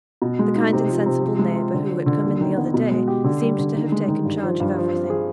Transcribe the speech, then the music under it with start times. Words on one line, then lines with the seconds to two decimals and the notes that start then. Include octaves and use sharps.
The kind and sensible neighbour, who had come in the other day, seemed to have taken charge of everything.
0.22 B2
0.39 G#3
0.55 D#4
0.73 C3
0.89 F3
1.06 C3
1.22 F3
1.39 G#3
1.56 F4
1.74 D3
1.89 F3
2.06 D3
2.24 D#2
2.41 D#3
2.57 B3
2.74 B2
2.91 G#3
3.08 G4
3.24 D3
3.42 G3
3.58 D3
3.75 D#3
3.92 G#3
4.08 D#3
4.25 G2
4.43 F3
4.60 G2
4.77 F3
4.93 C4
5.10 G#4